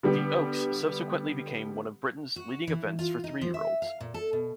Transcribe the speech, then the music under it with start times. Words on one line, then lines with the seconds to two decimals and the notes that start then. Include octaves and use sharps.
The Oaks subsequently became one of Britain's leading events for three-year-olds.
0.03 D3 G3 B3 G4
2.36 F#4
2.67 E3
2.99 F4
3.24 D#4
3.41 F3
3.54 E5
3.82 F5
4.01 A#2
4.14 A4
4.33 B2